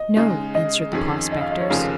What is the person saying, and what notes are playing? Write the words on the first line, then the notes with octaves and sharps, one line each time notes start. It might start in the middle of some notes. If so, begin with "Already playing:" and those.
'No,' answered the prospectors.
Already playing: D#5
C#3 G#3 D#4
D#5
F2 D#3 C#4 G#4
D#5
F5
D#5
C#5
F1 D#2 C#3 F3 A#3 F5